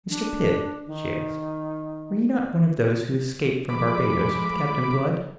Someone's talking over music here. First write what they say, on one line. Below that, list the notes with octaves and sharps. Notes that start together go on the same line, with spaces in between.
"Mr. Pitt," she asked, "were you not one of those who escaped from Barbados with Captain Blood?"
D4
D#3
F3 G#3 A3 B5 D6